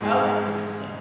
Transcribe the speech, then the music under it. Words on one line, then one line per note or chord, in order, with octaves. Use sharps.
Oh, that's interesting.
G#2 G#3 D#4 G#4